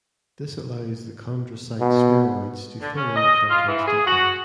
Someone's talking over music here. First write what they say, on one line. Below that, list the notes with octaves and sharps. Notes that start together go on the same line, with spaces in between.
This allows the chondrocyte spheroids to fill in the cartilage defect.
B2
D3
C#4
D#5
F4
E3
G#4
F#4